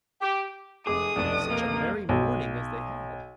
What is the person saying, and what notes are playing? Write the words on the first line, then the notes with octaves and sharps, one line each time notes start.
Such a merry morning as they had!
G4
F1 G#4 D6 D#6
F1 B1 D4
A#3
B1